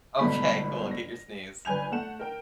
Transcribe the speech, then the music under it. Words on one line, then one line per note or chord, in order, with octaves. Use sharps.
Okay, cool. Get your sneeze.
G1 G#2 B2 A3 B5 B6
A#6
G1 B4 G#5 G6 F7
A3 F#5 E7
A#4 G5